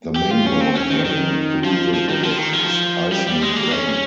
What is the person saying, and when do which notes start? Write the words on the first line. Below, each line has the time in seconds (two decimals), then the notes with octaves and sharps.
The main road running through the village is Icen Lane.
0.16 G4
0.31 F4
0.46 C#4
0.61 C4
0.75 C#4
0.90 D#3
1.05 D#3
1.64 F3
1.94 F3
2.09 D#3
2.23 F3
2.38 D#3
2.53 F3
3.12 G3
3.27 G3
3.42 G#3
3.56 A#3
3.71 C#4